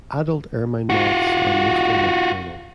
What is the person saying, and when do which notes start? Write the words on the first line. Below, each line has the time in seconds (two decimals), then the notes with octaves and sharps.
Adult ermine moths are mostly nocturnal.
0.90 F4 F#4